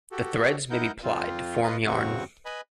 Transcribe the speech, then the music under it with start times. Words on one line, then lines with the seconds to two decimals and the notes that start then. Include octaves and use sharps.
The threads may be plied to form yarn.
0.12 F#4 G4 A4
0.70 D#4 E4 A#4 F#5 G6
1.04 F2 C4 F4
1.63 F4 B4 D#5
1.86 E2 G2 C#3 C4 F#4 C#6
2.45 B4 D#5 G#5 B5